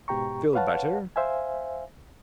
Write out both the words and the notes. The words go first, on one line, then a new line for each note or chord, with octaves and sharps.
Feel better.
G#2 B2 G4 G5 A#5 C#6
B4 C#5 F5 F#5 A5
C5 E5 F5 G#5